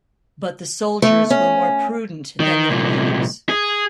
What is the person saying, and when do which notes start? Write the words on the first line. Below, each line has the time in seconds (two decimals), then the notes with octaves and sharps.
But the soldiers were more prudent than their leaders.
1.02 A3
1.30 C#4
2.40 D#3
2.69 C2 A#2
3.49 G#4